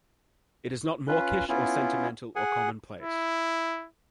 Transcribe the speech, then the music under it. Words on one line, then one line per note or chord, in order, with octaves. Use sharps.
It is not mawkish or sentimental or commonplace.
C#4 F4 B4
B3 C#4 E4 F4
G#4 F#5 G#5
E4